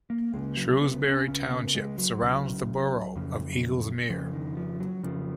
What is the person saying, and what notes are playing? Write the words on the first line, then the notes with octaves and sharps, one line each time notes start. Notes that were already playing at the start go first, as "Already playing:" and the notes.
Shrewsbury Township surrounds the borough of Eagles Mere.
A#3
C#2 C#3 G#3
F#3
B3
C#4
C#2 C#3 C#4
B3
G#3
F#3
C#2 C#3
F2 C#3
F2 C#3 F3
D#3
F3
F#3
F2 C#3 F3